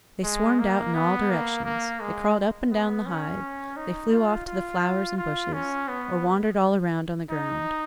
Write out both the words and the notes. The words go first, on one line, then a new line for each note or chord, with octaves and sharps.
They swarmed out in all directions; they crawled up and down the hive; they flew off to the flowers and bushes, or wandered all around on the ground.
G#3
A#3
B3
A#3
A#3
G#3
B3
C#4
D#4
F4
F4
F4
C#4
B3
D#4